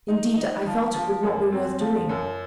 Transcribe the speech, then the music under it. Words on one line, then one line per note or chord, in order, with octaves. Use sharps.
Indeed I felt it would not be worth doing.
D#4
D#4
F3
F3
F#2
C4
F3
F#2